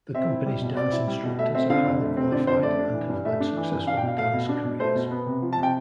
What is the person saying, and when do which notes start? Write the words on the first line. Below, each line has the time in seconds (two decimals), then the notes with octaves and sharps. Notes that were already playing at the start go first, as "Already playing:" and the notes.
The company's dance instructors are highly qualified and have led successful dance careers.
0.15 C4 E5
0.30 E4
0.46 G3
0.61 B2
0.77 C4 D5
0.92 E4
1.07 G3
1.23 B2
1.38 A3 E5
1.55 C4 E5
1.70 D3 F5
1.85 F2
2.01 A3
2.17 C4
2.32 D3 D5
2.47 F2 C5
2.63 A3 D5
2.79 D4
2.93 E3
3.10 G2
3.25 A3 E5
3.40 D4
3.57 E3
3.72 G2
3.87 D4 F5
3.97 G5
4.03 B2
4.08 F5
4.18 A3 F5
4.33 B2
4.49 D4
4.65 B2
4.80 A3 C5
4.95 B2
5.11 B3
5.26 C3
5.42 F3
5.53 A5
5.58 C3
5.63 G5